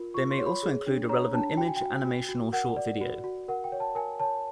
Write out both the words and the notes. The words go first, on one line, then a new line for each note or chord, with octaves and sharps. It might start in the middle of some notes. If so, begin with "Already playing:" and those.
They may also include a relevant image, animation or short video.
Already playing: F4 A#4
F4 C#6
C6
C#5
B5
G#4
D4
C#5 A#5
D4 A5
F#4 G5
G#5
F#4 G5
F#4
F#4
A#4 F#5
D5
F#4
F#4
A#4 F#5
G5
C#5
A5
A#4 G#5
C#5 A5